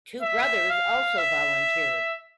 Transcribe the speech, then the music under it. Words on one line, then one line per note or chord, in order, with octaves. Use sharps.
Two brothers also volunteered.
E5
F5
E5